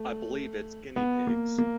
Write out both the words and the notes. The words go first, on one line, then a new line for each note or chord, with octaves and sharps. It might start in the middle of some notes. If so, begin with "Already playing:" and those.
I believe it's guinea-pigs.
Already playing: A3
B3
A#3
A#3